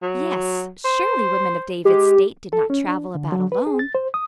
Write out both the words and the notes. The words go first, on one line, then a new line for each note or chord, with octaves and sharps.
Yes, surely women of David's state did not travel about alone.
F#3
C5
G#3 G4
A4
C#4
D4
D3
F#3
B4
G#4
A6
C5
D#6